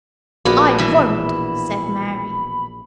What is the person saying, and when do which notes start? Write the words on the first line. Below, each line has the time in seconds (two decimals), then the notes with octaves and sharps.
"I won't!" said Mary.
0.45 A#1 A#3 B3 F#4 B5
0.78 B2 E3